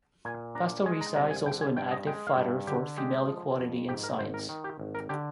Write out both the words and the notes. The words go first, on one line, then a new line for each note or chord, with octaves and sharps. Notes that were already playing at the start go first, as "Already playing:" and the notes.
Pastoriza is also an active fighter for female equality in science.
A#2 G#5
D4 A#5
G#3 G#5
A#5
C2 A#5
G#5
D3 G5
G#5
G2 G5
D#5
G#3 G5
F5
G2
D3 G4
G#3 G4
F3
F2
G#2 G4
A#4
G#1 C5
A#4
D#3
G4
G#1
A#4
D3 G4